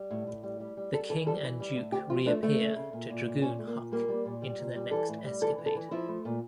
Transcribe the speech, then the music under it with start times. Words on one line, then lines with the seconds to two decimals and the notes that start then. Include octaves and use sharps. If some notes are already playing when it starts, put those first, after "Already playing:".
The King and Duke reappear to dragoon Huck into their next escapade.
Already playing: G3
0.10 A2
0.27 A2
0.43 G3
0.60 G3
0.77 G3
0.93 G3 A4
1.10 E3 A4
1.26 G3 A4
1.43 E3
1.60 G3
1.76 A2
1.92 D2 G4
2.10 F3 F4
2.26 A3 D4
2.42 D2 A3
2.60 C#3
2.76 C#3
2.93 A#2
3.10 A#2
3.26 A#2
3.42 A#2 C#4
3.59 A3
3.67 A#3
3.76 A#2
3.92 G3 A#3
4.09 G3
4.25 A#2
4.42 G3
4.59 A#2
4.76 G3
4.91 E3 A4
5.09 A2
5.25 G3
5.41 E3 A4
5.58 E3
5.66 A4
5.75 E3
5.91 F3 E4
6.08 A3
6.25 A#2